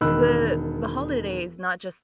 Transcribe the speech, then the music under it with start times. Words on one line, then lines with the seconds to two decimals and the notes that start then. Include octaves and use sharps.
the the holiday is not just
0.01 E1 D#3 D#5 B5 E6 F#6